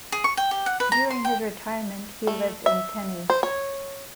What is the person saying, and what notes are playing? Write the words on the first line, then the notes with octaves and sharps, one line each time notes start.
During his retirement he lived in Tennie.
G#4
C#6
G5
G4
F#5
B4
A#5
C6
G5
A3
E5
C5
C#5